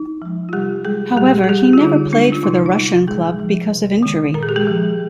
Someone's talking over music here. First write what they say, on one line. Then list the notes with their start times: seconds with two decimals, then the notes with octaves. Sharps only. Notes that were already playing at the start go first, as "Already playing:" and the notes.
However, he never played for the Russian club because of injury.
Already playing: D#4
0.22 F3 G#3
0.49 F4
0.53 C3 G3 G4
0.85 G3 G#3 G#4
1.16 A#2 G3 G4
1.44 G#4
1.49 G3 G4
1.73 F4
1.80 D3 D#4
2.12 G#3 D4
2.32 F4
2.43 C3 D#4
2.66 D#4
2.75 G3
3.07 A#2 G#3 G#4
3.39 F3 G#3
3.72 C3
4.03 D#3 G#3
4.34 A#2 A#4
4.43 G#4
4.49 G4
4.56 G#3 G#4
4.67 F3 G#3